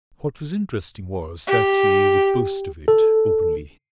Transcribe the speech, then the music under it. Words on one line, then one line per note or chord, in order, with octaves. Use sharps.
What was interesting was that he would boast of it openly.
G4
A4